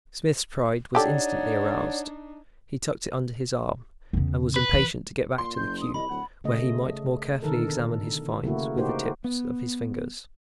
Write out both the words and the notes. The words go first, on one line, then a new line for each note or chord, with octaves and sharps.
Smith's pride was instantly aroused; he tucked it under his arm, and was impatient to get back to the cube, where he might more carefully examine his find with the tips of his fingers.
D4 D#4 G4 A4 C#5 D5 F#5
E2 C#3
B4
E3
A#2 C6
F#1 G6
D#6
C2 D#5 B5
D1 F#5
C#3 A3 D#5
B2 D3 D#3 A4 A#4
C#3 A3 A#3 E4 F#4
A#3 D#4 F#4 G4 C5
B3